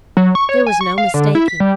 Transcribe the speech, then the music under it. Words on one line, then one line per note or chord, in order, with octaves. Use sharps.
There was no mistaking.
F#3
C#6
C#5
G#5
C#6
F5
D3
E4
B6
G3